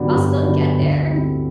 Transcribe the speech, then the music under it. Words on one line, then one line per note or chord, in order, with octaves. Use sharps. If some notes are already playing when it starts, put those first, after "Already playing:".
I'll still get there."
Already playing: G2 D3 F#3 B3 D4
G2
D3 F#3 B3 D4
D2
D3 G3 C4 E4